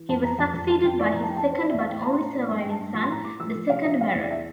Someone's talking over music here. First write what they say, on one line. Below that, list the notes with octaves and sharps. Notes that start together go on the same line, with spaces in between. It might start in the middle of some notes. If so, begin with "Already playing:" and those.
He was succeeded by his second but only surviving son, the second Baron.
Already playing: E3
F2 A5
F2 A#5
F2 A5
F2
E3 A5
F2 G5
E3 D5
F2 A#5
A5
E3 G5
A5
E3
C5
E3 D5
E2 E5
F5
A2 G5
A#5
A2 A5
C6
A2 A#5
E3 D5
G2 E5
G5
G2 A5
G2
F3
C6
A2 A#5
A2 D6
F3 E6
F3
C3 F5
F3 E5
C3 F5
E2 D5
E5